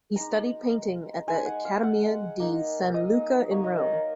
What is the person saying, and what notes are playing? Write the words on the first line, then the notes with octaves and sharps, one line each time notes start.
He studied painting at the Accademia di San Luca in Rome.
G#3 D#4 A#5
G#3 D#4 G#5
F#5
F5
F#5
A#3 D#4
D#5
F#3 A#3 D#4 C#5
D#5
A#4
A#4